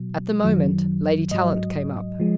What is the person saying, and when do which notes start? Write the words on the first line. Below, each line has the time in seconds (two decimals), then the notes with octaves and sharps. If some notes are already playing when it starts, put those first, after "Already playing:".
At the moment, Lady Tallant came up.
Already playing: B2 F#3
0.44 F#2 D#3 F#3
1.31 G#2 F#3 D#5
2.20 F3 G#3